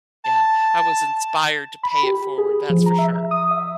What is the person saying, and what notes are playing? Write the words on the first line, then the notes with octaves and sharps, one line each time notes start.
Yeah, I was inspired to pay it forward, that's for sure.
A5
B5
G4
G#4
F3
A#5
E5
D#6
E5